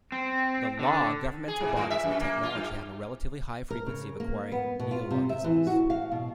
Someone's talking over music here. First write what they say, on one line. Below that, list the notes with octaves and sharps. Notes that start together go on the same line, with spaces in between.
The law, governmental bodies, and technology have a relatively high frequency of acquiring neologisms.
C4
D3
G#4
G#2
A2
E5
F#2
A#3
F4
G2
A#4
C#3
A#3
B3
B2
F4
C3
E5
E3
F#4
F5
B2